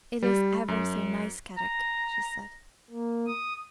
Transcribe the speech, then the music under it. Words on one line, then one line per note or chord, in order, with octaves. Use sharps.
"It is ever so nice, Kadok," she said.
G3
F#2
A#5
A#3
D#6